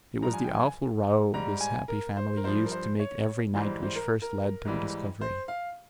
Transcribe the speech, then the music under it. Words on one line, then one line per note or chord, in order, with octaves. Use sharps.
It was the awful row this happy family used to make every night which first led to the discovery.
G2 F3 A#5
G#5
G5
G#5
G#2 G3 A#5
G#5
A#4
C5
A#4
G2 F3 C5
A#4
C5
C#5
G#2 E3 G3 C5
C5
A#4
A#4
G#2 E3 G3
C5
F5